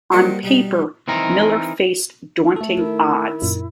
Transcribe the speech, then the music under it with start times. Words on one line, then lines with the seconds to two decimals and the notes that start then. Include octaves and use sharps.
On paper, Miller faced daunting odds.
0.12 G3 A#3 C5 D5 D#5 F#5
0.43 B2 G3 D#4
1.08 E3 C4 D#4 A#4
2.56 A3 A4
2.77 D#3 E4
3.42 F#2 A#2